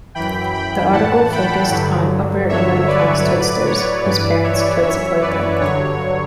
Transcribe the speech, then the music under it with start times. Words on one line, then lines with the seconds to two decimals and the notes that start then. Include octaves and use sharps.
The article focused on upper- and middle-class Twixters whose parents could support them.
0.15 F#2 E3 G5 B5
0.54 G5 B5
0.93 A2 E3 F#5 A5
1.32 G5 B5
1.70 G2 D3 F#3
2.49 G2 D3 F#3 C#5 E5
2.88 B4 D5
3.27 A2 F#3
3.66 C#5
4.05 G2 E3 B4 D5
4.43 C#5 E5
4.82 F#2 E3 C#5 E5
5.21 B4 D5
5.60 G2 D3 F#3 C#5